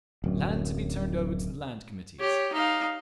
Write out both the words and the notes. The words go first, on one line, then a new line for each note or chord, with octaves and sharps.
Land to be turned over to the Land Committees.
D1 F#2
G4 C#5
D#4 F5